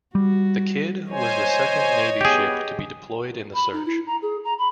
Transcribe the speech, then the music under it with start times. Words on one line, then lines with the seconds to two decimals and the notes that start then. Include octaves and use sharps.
The "Kidd" was the second Navy ship to be deployed in the search.
0.15 G3 F#4
1.11 C5 C#5 D#5 G#5
2.21 B3 G4 G#4
3.53 B5
3.72 D#4
3.85 E4
4.06 A#5
4.22 G#4
4.44 A#5
4.58 B5